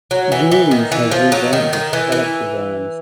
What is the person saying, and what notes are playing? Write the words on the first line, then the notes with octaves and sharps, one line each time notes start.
Julie’s has revamped its product designs.
F#3
E3
E3
D#3
E3
F3
F#3
D#3
D#3
E3
E3